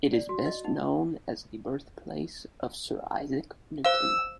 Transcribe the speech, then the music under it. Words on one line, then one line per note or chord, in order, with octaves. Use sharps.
It is best known as the birthplace of Sir Isaac Newton.
D5
F#4
D#5
D#4
C5 F5 E6